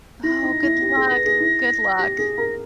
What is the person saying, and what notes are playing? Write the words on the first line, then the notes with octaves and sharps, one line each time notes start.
Oh, good luck! Good luck.
E4 A#6
D#4
E4
G4
G#4
B4
G#4
E4
G4
G#4
A#4